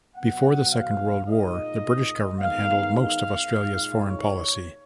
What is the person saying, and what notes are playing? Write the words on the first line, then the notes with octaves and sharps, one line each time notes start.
Before the Second World War, the British Government handled most of Australia's foreign policy.
B2 F#3 B3 F#5
F5
A#2 G#3 D#4 D#5
D#3 G#3 B3 D#4 F5
F5
A#2 G#3 D#4
C#5